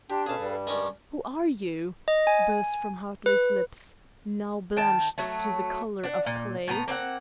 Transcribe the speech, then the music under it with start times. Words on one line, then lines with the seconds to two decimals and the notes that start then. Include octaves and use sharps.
"Who are you?" burst from Hartley's lips, now blanched to the color of clay.
0.10 D4 G4 G5 A5 C6
0.27 B2 C#4 G#4 A4 B4 F5 A5
0.39 G2 G3
0.67 G#3 C#4 D4 A#4 C#6 D6
2.08 D#5
2.27 G#5
3.26 B4
4.76 D#3 G5 A5
5.18 F#3 A3
6.03 D4 F#5
6.26 A#2
6.67 A2 B3 A#5
6.88 A#3 C4 D4 F#5